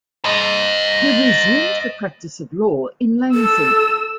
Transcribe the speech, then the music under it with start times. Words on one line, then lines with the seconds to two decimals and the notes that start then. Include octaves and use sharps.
He resumed the practice of law in Lansing.
0.25 C5 D#5
3.34 A4 E6